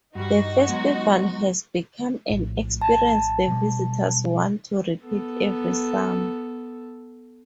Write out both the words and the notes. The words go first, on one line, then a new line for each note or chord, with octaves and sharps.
The festival has become an experience the visitors want to repeat every summer.
G2 G3 D#4 F#4
F#3 G#3 B3
A#1 A2
A5
B2 G3
B3 A4